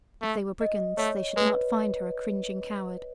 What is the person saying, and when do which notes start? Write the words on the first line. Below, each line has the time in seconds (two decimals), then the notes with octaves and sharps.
If they were brigands they should not find her a cringing coward.
0.22 A3
0.61 D#5
0.98 A3 C#5
1.36 G#3 B4